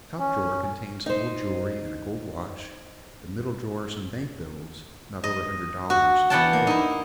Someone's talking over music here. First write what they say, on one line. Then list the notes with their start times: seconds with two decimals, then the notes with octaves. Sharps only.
The top drawer contained some old jewelry and a gold watch, the middle drawer some bank bills, not over a hundred dollars, all told.
0.19 C#4
1.06 D#4 C5
5.24 D#5
5.90 F#4
6.30 E3 B3 D5 F#5 G5 A5
6.53 A#3
6.67 D#4 E4